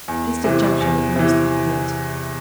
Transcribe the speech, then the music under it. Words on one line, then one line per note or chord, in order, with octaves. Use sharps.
His dejection was most evident.
E2
C3 E3
E2
C3 E3